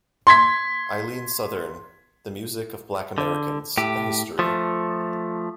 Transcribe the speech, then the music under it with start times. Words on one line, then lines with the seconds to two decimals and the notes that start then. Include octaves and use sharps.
Eileen Southern, "The Music of Black Americans: A History".
0.27 C6 G#6 B6
3.18 D3
3.77 A2 G4
4.39 F3 A3